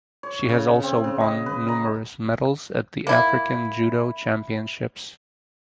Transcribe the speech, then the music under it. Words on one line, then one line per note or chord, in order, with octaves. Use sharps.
She has also won numerous medals at the African Judo Championships.
C#5
C#3
C4
C#3
D#5
B4
A#5
A#3 E4